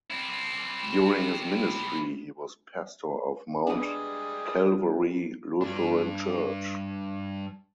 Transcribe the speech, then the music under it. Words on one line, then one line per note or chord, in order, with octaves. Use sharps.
During his ministry he was pastor of Mount Calvary Lutheran Church.
C4 E4
G3 G#3 B3 D4 D#6
G2 D4